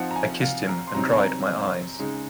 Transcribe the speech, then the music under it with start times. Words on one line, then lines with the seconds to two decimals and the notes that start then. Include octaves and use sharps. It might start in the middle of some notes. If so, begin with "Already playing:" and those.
I kissed him and dried my eyes.
Already playing: F3 C4 D#4 F#5
0.11 A#5
0.16 G#5
0.42 F5
0.69 A#5
0.87 C6
0.95 C3 F#3 C4 D#4 A#5
1.12 G#5
1.21 A#5
1.99 C#3 G#3 D#4